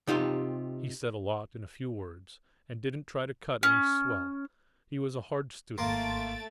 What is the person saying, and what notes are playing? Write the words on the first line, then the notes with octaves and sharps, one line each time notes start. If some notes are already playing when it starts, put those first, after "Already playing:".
He said a lot in a few words, and didn't try to cut any swell. He was a hard student.
C3 D#4 F4 G4
C#4
G#1 A3 A#3 C6 A6 D7